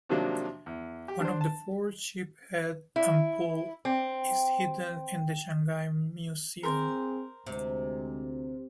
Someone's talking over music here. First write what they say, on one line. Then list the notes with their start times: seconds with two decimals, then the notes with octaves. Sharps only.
One of the four sheep head ampoule is hidden in the Shanghai Museum.
0.09 C3 D#3 F3 F#3 A#3 D4
0.66 E2
1.08 G4
1.21 D4 C5
1.41 A5
2.96 E4
3.85 C4
6.63 C4 G#4 A#4 C5
7.46 D2 C3 G#3